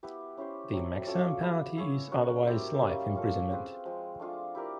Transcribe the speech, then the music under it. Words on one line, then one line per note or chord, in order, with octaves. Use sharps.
The maximum penalty is otherwise life imprisonment.
B3 E4 G4
C#4 E4 G4 C5
F#3 A3 C4
C#4 F4 A4 D5
B3 E4 G#4
E4 G#4 C#5
C#4 F#4 A#4
E4 G4 C5 E5
G3 A#3 C#4
C#4 F4 A4
C4 F4 G#4 B4
F3 G#3 C4
A3 D4 F4 G#4
E4 G4 A#4 D5